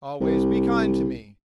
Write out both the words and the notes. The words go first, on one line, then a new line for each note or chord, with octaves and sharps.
Always be kind to me.
C2